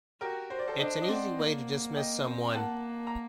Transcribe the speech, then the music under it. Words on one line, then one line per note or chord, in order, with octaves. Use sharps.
It's an easy way to dismiss someone.
F#4 G4 A#4
C5
D5
A4 C5
D4 C5 D#5
D#5
C4 D5 F#5
A#3
D#5 G5
C4
A#3 F#5 A5
A#5